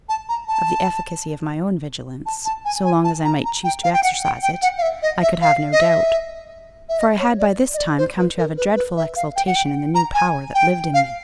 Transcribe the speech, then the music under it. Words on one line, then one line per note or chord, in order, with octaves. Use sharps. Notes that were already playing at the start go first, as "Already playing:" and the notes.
Of the efficacy of my own vigilance, so long as I might choose to exercise it, I could have no doubt, for I had by this time come to have a dreadful exultation in the new power that lived in me.
A5
A#5
A5
A5
A5
G#5
G#5
A5
A#5
A#5
G5
F5
G5
F#5
G5
G5
F#5
F5
E5
D#5
E5
F5
D#5
E5
E5
D#5
C#5
D5
D#5
D5
C5
B4
A#4
B4
B4
E5
F5
G5
F#5
G5
A#5
G#5
G5
F5